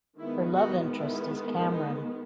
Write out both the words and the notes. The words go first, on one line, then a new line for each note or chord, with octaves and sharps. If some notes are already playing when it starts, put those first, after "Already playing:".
Her love interest is Cameron.
D#3 G#3 B3 E4
D#4 F#4
E4
D#4